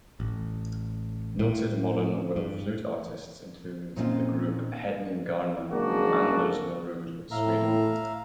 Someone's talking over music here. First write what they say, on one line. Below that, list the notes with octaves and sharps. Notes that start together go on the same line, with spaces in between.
Noted modern willow flute artists include the group Hedningarna and Anders Norudde of Sweden.
A1
A2
G2
A#2 D#3 C4 C#4 D#4 F4
F#1 G#3 A#3 D4 F#4 D5
A2 E5 F5 A#5